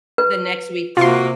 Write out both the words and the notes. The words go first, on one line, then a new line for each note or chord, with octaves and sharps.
The next week
B4
C3 A#3 F4 F#4 C6